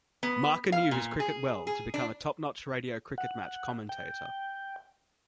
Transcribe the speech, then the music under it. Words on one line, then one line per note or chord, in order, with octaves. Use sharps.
Marker knew his cricket well to become a top-notch radio cricket match commentator.
B3
F5
A#2
G#4
G#4
D4
F#5
G5